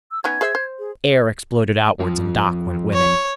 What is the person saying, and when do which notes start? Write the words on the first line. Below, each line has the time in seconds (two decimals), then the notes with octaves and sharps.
Air exploded outwards, and Doc went with it.
0.11 E6
0.24 B3 C#4 D#4 G#6
0.41 G#4 C5 E5
0.55 C5
0.79 G#4
1.99 F2 F3
2.93 C#5